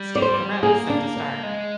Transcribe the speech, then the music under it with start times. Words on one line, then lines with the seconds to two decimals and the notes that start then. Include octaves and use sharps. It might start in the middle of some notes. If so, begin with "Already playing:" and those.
Steve Carell is set to star in it.
Already playing: G3
0.15 D5
0.22 C5
0.63 A#3 G#4
0.90 D4
1.17 D4
1.43 G#3